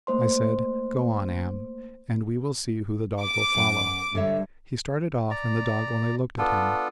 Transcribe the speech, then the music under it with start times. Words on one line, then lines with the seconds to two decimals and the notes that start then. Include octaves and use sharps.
I said, "Go on Am, and we will see who the dog will follow." He started off and the dog only looked at him.
0.07 A3 A#3 C5 C6
3.20 D6
3.55 F#2 F#5
4.15 G2 D3 C#5 E5
5.30 D5 A#5
6.38 B3 D4 F4 A4